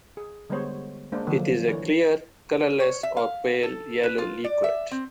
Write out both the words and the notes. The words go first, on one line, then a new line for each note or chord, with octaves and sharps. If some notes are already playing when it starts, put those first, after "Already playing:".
It is a clear, colourless or pale yellow liquid.
G#4
D3 G3 G#3 B3 C5 C#5
G#3 A#3 D4 C5
D3 F3 F#3 A#3
E3 D4 C#5
C#5
E5
F5
A4
B4
F4
D5
E5
C4